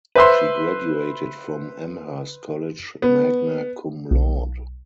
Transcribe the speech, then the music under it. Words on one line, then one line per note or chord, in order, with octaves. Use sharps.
She graduated from Amherst College magna cum laude.
B4 C5 E5 C6
B3
B1